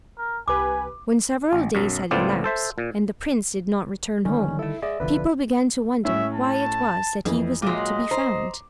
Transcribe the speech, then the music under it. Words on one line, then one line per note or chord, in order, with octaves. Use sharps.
When several days had elapsed and the prince did not return home, people began to wonder why it was that he was not to be found.
A#4
C2 G4 B4 G#5 D6
A1
B1 F#2
C#2 A2 B3 C4 F4 D5
A4 C5 E5
A#2
D3 D#3 G3 C#4
E4 A4 E5
G#3 D5 E5
B1 D3 F3 B4
A2 C#4 E5
A5
F2 E3
A#2 F#3 G#3 D#5 D6
C5 A#5